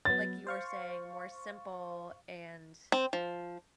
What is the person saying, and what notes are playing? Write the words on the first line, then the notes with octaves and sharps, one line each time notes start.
like you were saying, more simple and
F#3 B3 A6
C5 F5 C#6
C4
F3